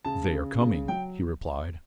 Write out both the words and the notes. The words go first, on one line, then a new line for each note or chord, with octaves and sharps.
"They are coming," he replied.
C#3 A5
C#3
C#3
F#3 G5